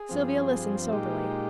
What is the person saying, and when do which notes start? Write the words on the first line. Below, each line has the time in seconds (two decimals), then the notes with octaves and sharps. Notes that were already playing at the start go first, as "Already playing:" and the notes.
Sylvia listened soberly.
Already playing: G#4
0.09 G2 F3 C4
0.92 A#2 G#3 D#4 G4